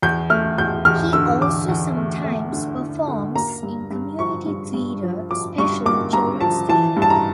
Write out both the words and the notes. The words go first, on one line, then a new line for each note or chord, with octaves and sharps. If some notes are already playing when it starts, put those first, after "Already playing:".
He also sometimes performs in community theater, especially children's theater.
E2 G6
A3 F6
E2 G6
E2 F6
D3 E6
E2 D6
E2
A3
A3
D3
E4
D3
A#3 A#5
G2
G2
F3 C#6
G2
G2
F3
F3 D6
G2 C#6
A#3 D6
G2 A#5
F3 A5
E3 A5
G2
A5
A#5